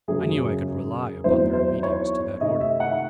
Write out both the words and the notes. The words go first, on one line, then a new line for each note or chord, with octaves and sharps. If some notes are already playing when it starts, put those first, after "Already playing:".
I knew I could rely upon their obedience to that order.
F#2 C#3 F#3 C#4 G#4
E2 D#3 F#3 C4 D#4 C5
C5
C#5
C3 D#3 A3 D#5
E5
F#5